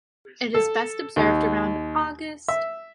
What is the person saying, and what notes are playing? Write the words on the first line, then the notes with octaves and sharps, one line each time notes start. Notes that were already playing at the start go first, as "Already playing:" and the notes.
It is best observed around August.
A4
D#2
E5